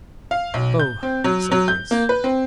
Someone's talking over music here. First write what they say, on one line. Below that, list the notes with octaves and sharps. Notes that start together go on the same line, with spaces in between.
"No," said Grace.
F5
B1
G6
C4
F#3
F#3
G6
A#3
B4
C4